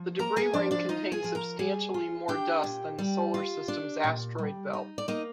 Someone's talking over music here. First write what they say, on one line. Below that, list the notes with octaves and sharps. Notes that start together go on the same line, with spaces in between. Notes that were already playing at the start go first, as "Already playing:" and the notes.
The debris ring contains substantially more dust than the Solar System's asteroid belt.
Already playing: F3
A#3 A#4 A#5
G#4 G#5
F3 D4 D5
D4 D5
D#4 F4 D#5
G#4 G#5
F3
A#4 A#5
G3 G#4 G#5
F4
D4 G4 G5
A#2
G3
F4
D4
A#2
G3
D#4
D5
A#3 D#4 D#5